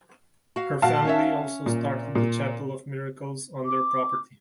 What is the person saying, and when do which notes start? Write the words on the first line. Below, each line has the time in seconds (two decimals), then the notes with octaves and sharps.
Her family also started the Chapel of Miracles on their property.
0.56 F#4 F5
0.82 A#2 F#4 F5 A5
1.05 C#4 C#5 E5
1.66 A#2
2.15 A#2
3.65 D6